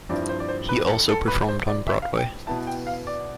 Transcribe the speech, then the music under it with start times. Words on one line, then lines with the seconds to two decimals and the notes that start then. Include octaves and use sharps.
He also performed on Broadway.
0.09 G2 F3 C4 E4 D5
0.29 C5
0.40 D5
0.49 C5
0.69 B4
0.88 A4
1.09 A4
1.28 B4
1.48 C5
1.68 D5
1.88 E5
2.02 F5
2.17 G5
2.47 B2 B3 E4 A5
2.67 G5
2.87 F5
3.07 D5